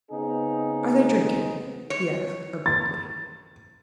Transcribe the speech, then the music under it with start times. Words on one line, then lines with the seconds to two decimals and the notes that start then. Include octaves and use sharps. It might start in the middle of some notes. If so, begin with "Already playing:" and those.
"Are they drinking?" he asked abruptly.
0.11 C#3 B3 C4 D#4 G#4
1.90 C#5
2.66 A6